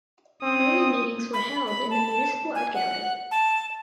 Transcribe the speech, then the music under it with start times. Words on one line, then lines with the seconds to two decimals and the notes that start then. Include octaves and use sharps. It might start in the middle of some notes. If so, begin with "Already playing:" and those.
Early meetings were held in the municipal Art Gallery.
0.43 C4 C#4 D#6
1.33 B5
1.67 B5
1.91 A5
2.55 G#5
2.74 F#5
3.31 A5